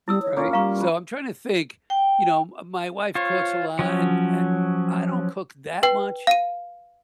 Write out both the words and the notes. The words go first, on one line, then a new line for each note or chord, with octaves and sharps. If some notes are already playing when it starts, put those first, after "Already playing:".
Right? So, I'm trying to think, you know, uh, my wife cooks a lot and and I don't cook that much,
G3 E4 D#6 E6
C#5
A#3 C#4 F4
G3 F5 A#5 C#6
E3 B4
G5
F4 C5 C#5
F3 F#3 C#4
B4 G5
F5 D#7